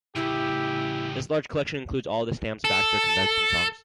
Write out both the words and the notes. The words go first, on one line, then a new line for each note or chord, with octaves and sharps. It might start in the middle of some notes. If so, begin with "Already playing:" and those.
This large collection includes all of the Stamps-Baxter convention songs.
A2 C#3 E4 G4
A4